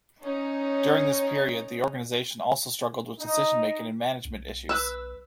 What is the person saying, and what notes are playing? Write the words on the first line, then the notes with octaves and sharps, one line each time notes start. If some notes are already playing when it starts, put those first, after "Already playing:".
During this period, the organization also struggled with decision-making and management issues.
C#4 D#4
D#4
B1
B4 E6 F#6